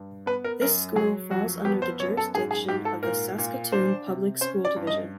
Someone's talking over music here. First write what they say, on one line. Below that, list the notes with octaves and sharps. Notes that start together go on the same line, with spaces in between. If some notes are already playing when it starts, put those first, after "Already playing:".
This school falls under the jurisdiction of the Saskatoon Public School Division.
Already playing: G2
B3 B4
A#4
F#2 A#4
F#3 G#4
F2 F#4
B3 G4
C5
F#2 C#5
A4
G#2 G#4
G#4
G#2 G4
A4
A#2 A#4
A#2
D4 C5
C3
C#4 C5
D5
G2
D#5